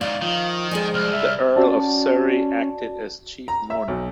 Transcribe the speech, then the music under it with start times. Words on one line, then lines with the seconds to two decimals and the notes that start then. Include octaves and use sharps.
The Earl of Surrey acted as chief mourner.
0.01 D#2 G#2 D5 F5
0.21 D#3 F3 F4
0.71 G#3 C5 D5 G#5
0.94 C2 F6
1.13 E5
1.56 C#4 F#4 D5 A5
3.48 A#5
3.70 E5
3.88 B1